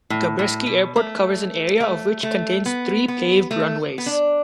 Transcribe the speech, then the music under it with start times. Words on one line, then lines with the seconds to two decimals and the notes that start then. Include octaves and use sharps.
Gabreski Airport covers an area of which contains three paved runways.
0.10 A2
0.39 A2
0.66 B2
0.96 A3
1.80 A3
2.23 A3
2.66 B3
3.08 B3
3.51 A3
3.98 B3
4.06 D4